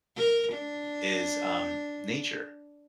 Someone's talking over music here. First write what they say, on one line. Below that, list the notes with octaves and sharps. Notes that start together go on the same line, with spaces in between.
is, um, nature.
A#4
D4